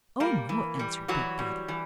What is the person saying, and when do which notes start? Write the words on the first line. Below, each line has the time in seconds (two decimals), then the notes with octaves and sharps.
"Oh, no," answered Big Brother.
0.20 G3 A#3 A#4
0.49 E3
0.79 G3
1.08 E3 F#3 F#4
1.39 G3
1.68 E3